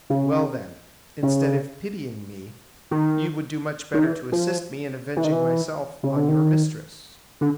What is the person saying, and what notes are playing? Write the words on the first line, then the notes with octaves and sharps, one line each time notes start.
"Well, then, instead of pitying me, you would do much better to assist me in avenging myself on your mistress."
C#3
C#3
D#3
D#3
E3
F3
E3
D#3
E3
C#3
D3
D#3
D3